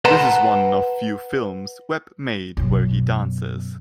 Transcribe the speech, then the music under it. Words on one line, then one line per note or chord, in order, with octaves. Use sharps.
This is one of few films Webb made where he dances.
B4 F#5 A5 A#5 C6
F#2 B2